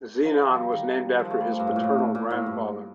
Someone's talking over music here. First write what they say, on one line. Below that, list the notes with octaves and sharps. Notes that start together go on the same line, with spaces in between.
Zenon was named after his paternal grandfather.
F3
F3
G3
D#3
F3
A3
G3
F3
G2
A2
A#2
A2
A#2
A#2
A2
G2